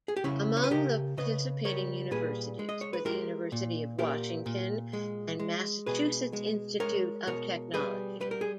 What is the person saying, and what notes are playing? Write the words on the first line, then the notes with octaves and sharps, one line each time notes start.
Among the participating universities were The University of Washington, and Massachusetts Institute of Technology.
G#4
G4
C#3 C#4 E4
C#5
B4
C#3 G4 A#4
C#3 B4 D#5
G3 A#4 C#5
A#2 G#4 B4
G#3
D#5
C#5
B4
G#3 G4 A#4
A#2
A#2 G4 A#4
A#2
G#3
G#3
B2 G#4 B4
G#3
G#3 A#4 C#5
B2 A#4 C#5
G3 G#4 B4
G3 B4
A#4
G#4